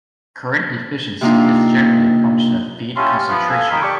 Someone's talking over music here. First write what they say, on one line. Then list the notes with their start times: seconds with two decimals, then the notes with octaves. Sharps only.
Current efficiency is generally a function of feed concentration.
1.21 C3 A#3 D4 D#4 F4
2.96 C#4 E4 G4 F5 A5 C6
3.29 F3 B3
3.49 A4 F5 G#5
3.70 D#3 B5
3.82 G4 D5 A5 C#6